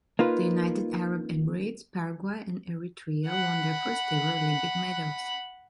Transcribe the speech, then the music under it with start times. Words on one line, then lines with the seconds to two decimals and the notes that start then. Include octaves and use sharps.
The United Arab Emirates, Paraguay and Eritrea won their first ever Olympic medals.
0.19 A#3 D#4 F4 B4
3.26 F#5 B5